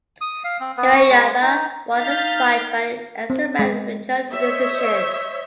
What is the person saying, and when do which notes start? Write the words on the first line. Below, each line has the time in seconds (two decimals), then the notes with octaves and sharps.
Hirayama won the fight by an extra round majority decision.
0.21 D#6
0.44 F5
0.60 C4
0.77 B3
0.95 C#6
1.10 G#3
1.42 D#4
1.95 D#4 F5 F6 G6 A6 B6
3.30 C4
3.59 G#3
4.30 C5 C#5 D#5 E5